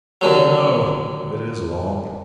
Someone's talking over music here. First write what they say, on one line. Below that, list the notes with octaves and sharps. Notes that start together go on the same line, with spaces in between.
But no--it is long.
D#2 D3 F#3